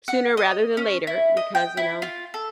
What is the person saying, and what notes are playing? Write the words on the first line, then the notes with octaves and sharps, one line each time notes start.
sooner rather than later, because, you know,
F#5
D#5
C#4
E4
D#5
G5
E4
F4
A4